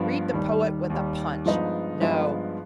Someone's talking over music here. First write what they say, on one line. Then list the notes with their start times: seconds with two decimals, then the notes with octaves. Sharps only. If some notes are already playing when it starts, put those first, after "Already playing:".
Read the Poet with a Punch!' No.
Already playing: G2 F3 B3
0.33 D#2 D#3 G3
0.90 D#2 D#3 G3
1.45 G2 F3 G#3 B3 D#4
2.00 G2 F3 G#3 B3 D#4